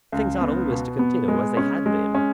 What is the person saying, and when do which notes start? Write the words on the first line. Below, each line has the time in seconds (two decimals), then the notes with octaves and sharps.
Things ought always to continue as they had been.
0.12 C#2
0.41 B3
0.70 B2
0.99 B3
1.28 G#3
1.57 C#4
1.86 G#3
2.15 C#4